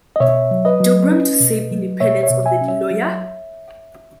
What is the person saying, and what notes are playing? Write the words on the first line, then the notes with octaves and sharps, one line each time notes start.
Dougram to save independence of the Deloyer!
D#5
B2 C#5 E5
F#3
B4 D#5
F#3
C#4
B2
F#3
B2 C#5 E5
C#5 E5
B2
E5 G#5
C#4
C#5 E5
F#3